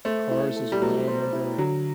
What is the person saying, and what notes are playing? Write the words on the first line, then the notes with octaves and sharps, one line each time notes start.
Cars as well, I remember,
A3 C5
E4
A4
G3
F#3 A3
C5
E4
D3 F#3